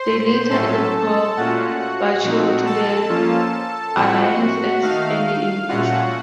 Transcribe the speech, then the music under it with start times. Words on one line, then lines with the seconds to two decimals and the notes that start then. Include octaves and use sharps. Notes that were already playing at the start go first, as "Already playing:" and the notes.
They later added Paul Burchill to the alliance as an enforcer.
Already playing: C5 C6
0.50 A2 F#3 A3 C#4 A4 A5
1.37 A#2 A3 C#4 F4 F#4 F#5
1.80 F#4 F#5
2.23 A#2 F3 C4 D#4
2.66 A4 A5
3.10 F3 A#3 C#4 F4
3.96 A2 F3 C4 F#4 F#5
4.82 D#3 A3 D#4 F5
5.69 A#2 A3 C#4 F4 F#4 F#5